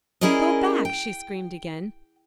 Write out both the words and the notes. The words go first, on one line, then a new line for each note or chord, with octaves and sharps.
"Go back!" she screamed again.
C#4 E4 G#4 A#4 D5 D#5
G5